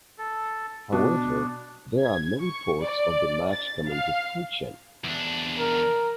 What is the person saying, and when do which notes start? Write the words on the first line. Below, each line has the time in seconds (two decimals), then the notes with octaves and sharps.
However there are no reports of the match coming to fruition.
0.18 A4
0.93 B2 D4
2.02 G#6
2.42 C#6
2.84 D5
3.52 A6
3.89 F5
5.04 E2 D4
5.59 A#4